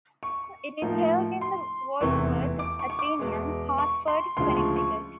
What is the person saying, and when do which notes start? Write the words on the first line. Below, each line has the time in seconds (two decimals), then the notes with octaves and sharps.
It is held in the Wadsworth Atheneum, Hartford, Connecticut.
0.23 C#6
0.82 A2 F3 A#3 D#4
1.41 C6
2.01 F1 E2 C3 E3 C#6
2.59 D6
2.79 C#6
2.90 C#6
2.99 D6
3.19 E2 B2 G#3
3.78 C#6
4.08 C6
4.37 D2 C#3 F3 G#3 C6
4.56 C#6
4.76 C#6